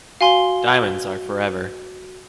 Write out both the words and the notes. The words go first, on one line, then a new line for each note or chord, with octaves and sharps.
Diamonds are forever.
F#4 F5 G#5 C6 G7